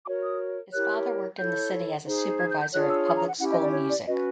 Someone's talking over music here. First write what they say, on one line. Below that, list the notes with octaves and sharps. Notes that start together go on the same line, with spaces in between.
His father worked in the city as a supervisor of public school music.
F#4 A#4 C#5 D6
D#6
E4 G4 A#4 C#5 F#6
E4 A4 C#5 G6
D#4 G#4 C5
G#6
G6
G6
D4 F4 G#4 C#5 F#6
E6
D#6
A#5
F#5
C#4 E4 G4 F#5
D#5
D5
C#5
D5
C#4 F#4 B4 D#5